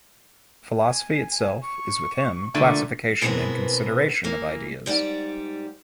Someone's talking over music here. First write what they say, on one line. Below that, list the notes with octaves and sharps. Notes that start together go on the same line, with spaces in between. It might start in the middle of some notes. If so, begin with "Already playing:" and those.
Philosophy itself is with him classification and consideration of ideas.
G#5
C#6
A#2 D3 A3
B2 E3 G#3 B3 C4 A#4
E3 A#3
G#2 G3 D5 F#5